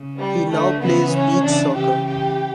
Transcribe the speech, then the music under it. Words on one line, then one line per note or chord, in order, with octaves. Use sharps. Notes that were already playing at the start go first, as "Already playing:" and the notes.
He now plays beach soccer.
Already playing: C#3
G3
D3 A3
C#3 E3 B3
C#4
C#3 E3 D4
C#3 E3 G4
G4